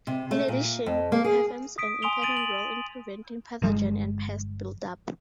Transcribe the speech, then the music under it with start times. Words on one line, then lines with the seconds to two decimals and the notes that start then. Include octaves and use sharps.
In addition, it performs an important role in preventing pathogen and pest build-up.
0.07 C3
0.31 A3
0.48 A#2
0.86 F2
1.12 A#3
1.24 G#4
1.78 D#6 B6 D7
2.02 G#5 C6 D#6 D7 F7 G7
2.22 A6 D7 D#7 F#7
2.37 F#7
3.62 G1 F3 G#3